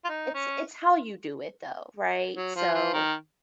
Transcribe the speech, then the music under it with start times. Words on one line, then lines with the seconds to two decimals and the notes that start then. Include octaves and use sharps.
it's it's how you do it, though. Right? So,
0.05 F4
0.09 D#4
0.34 C#4
2.37 F#3
2.56 F3
2.75 F3
2.93 D#3